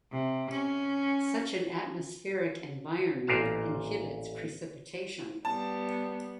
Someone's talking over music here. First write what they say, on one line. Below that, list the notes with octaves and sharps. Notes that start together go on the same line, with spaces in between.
Such an atmospheric environment inhibits precipitation.
C3
C#4
A1 A#2 A#4 B4 F5 A5
G3 B3 A5